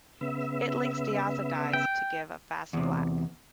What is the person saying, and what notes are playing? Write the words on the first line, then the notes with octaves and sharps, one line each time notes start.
It links diazo dyes to give a fast black.
C#3 B3 E5
G5
E2 C3